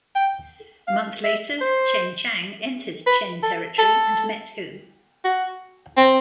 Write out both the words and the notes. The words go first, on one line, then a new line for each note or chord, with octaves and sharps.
A month later, Chen Chang entered Chen territory and met Hou.
G5
F5
E5
C5
B4
A4
A4
F#4
C4